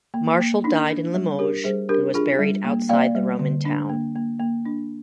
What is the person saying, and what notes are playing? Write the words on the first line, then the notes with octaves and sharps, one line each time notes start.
Martial died in Limoges and was buried outside the Roman town.
A#3
A#3
D4 D#4
D4
G3
D4 G4 A#4
G3 G#4 C5
D4 G4 A#4
D4 F4 G#4
G3
A#3
A#3 D5 F5
G3
D3
D4
A#3
A#3
A#3
D4